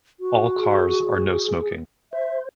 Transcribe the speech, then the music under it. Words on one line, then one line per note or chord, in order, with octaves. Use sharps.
All cars are no smoking.
F#4
G#4
C5 E5